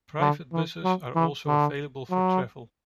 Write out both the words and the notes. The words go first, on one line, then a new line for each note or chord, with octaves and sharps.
Private buses are also available for travel.
D3
E3
F#3
E3
D3
F#3